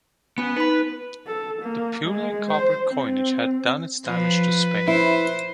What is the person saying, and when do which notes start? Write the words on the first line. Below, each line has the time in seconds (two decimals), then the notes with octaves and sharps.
The purely copper coinage had done its damage to Spain.
0.38 B3 C#4 F4 G#5
0.57 D#4 B4 B5
1.27 A4
1.62 A#3
2.06 G#3
2.51 C5
2.87 C4
4.06 F3 B4
4.88 E4 C5